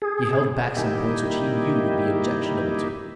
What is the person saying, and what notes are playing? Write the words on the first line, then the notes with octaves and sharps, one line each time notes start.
He held back some points which he knew would be objectionable to you.
G#4
D#3 G3 A#3 D#4 E4 G4